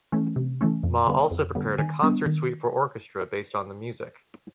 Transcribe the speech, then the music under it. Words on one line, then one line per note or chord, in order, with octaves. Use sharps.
Maw also prepared a concert suite for orchestra based on the music.
E3 A3 C#4
C3
E3 A3 C#4
F2
D3 G3 B3
F2
D3 G3 B3
D#3 G#5
G3 B3 D4
D#3